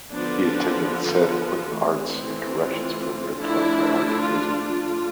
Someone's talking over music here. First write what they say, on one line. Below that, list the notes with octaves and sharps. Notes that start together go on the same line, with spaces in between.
He attended San Quentin Arts in Corrections Program taught by Art Hazelwood.
D3 F3 B3 D4
E3 A3 C4
F4
F3 A3 D4 E4
F4
F4